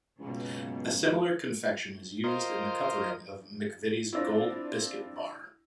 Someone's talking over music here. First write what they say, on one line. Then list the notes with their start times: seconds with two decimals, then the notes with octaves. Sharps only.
A similar confection is used in the covering of McVitie's Gold biscuit bar.
0.19 C#2 F#2 B2 A#3
2.24 F4 A#4 C5 D#5
4.13 C4 D4 E4 F4 E6 A#6